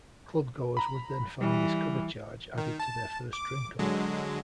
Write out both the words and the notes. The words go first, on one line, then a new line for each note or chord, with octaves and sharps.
Clubgoers would then find this cover charge added to their first drink order.
A#5 B5
E3 G3
D#3
A5
D6
D3 F#3 G#3